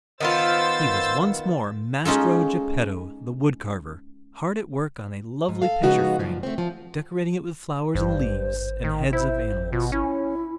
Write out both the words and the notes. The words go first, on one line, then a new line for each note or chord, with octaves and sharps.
He was once more Mastro Geppetto, the wood carver, hard at work on a lovely picture frame, decorating it with flowers and leaves, and heads of animals.
D#3 B3 F4 C5 E6 A6
G#3 C#4 D#4 F4 A4
G#2
A4 F5
C#3 F3 G#3 B3 D#4 F#4
G2 A#2 F3
A3 C4
F3
G#1 G2 C5
D#3
E4 C5
B2 F4
C#4 E4